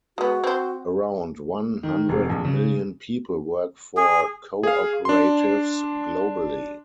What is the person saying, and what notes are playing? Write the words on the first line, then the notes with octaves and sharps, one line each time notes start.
Around one hundred million people work for co-operatives globally.
G#3 B3 F#4
C4 C5
D#3
F1
A#1
C#3
G#4
G#4 F5
D4 C6